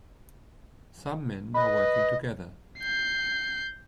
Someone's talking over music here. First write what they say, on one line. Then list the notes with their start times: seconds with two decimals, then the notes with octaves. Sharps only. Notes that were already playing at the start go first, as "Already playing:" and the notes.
Some men are working together.
1.54 B4 D#5
2.79 G6 C7